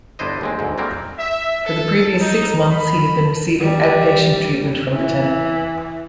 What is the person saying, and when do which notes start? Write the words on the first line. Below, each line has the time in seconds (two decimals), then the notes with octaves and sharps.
For the previous six months he had been receiving out-patient treatment from the clinic.
0.19 G1 D4 E4 C5 D#5
0.41 D#2 G#3 C4
0.59 D2 G#2
0.78 F#3 G3 A#3 C4 A#4
1.18 E5
1.65 A4
2.19 D#4
2.67 B5
3.60 G3
4.92 E3